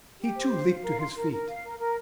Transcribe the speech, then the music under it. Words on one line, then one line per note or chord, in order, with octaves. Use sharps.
He, too, leapt to his feet.
G4
C5
F5
F5
A#4
C6
A#4
A#4
F5
A#4
A#4